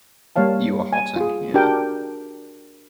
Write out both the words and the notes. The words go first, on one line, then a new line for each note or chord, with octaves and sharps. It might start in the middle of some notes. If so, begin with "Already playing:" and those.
You are hot in here!
G3 A#3 C#5 F5 A5
G#5
F4 G#4
D4 F#4 G4 A#4 G5